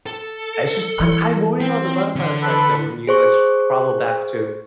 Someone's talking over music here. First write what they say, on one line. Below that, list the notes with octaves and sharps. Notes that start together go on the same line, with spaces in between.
I just I I worry about the butterfly effect though when you, like, s travel back to,
A4
E3
C4
D3 F#5
A4 B4 B5
G#4 C5 C#6